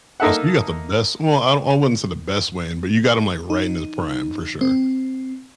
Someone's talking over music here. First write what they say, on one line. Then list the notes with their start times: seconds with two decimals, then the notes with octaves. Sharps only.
Oh, so you got the best well, I don't I wouldn't say the best Wayne, but you got him, like, right in his prime for sure.
0.20 A#3 D#4 A4 E5 F#5
3.50 D#4
4.61 C4